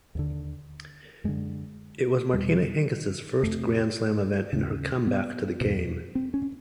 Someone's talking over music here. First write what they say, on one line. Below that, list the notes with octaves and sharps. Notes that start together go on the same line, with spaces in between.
It was Martina Hingis' first grand slam event in her comeback to the game.
D#2 D3
F#2 D3 G#3
E2 B2 G3
F2 C3 A3
D#2 C#3
B3
E2 B2
C4
C#4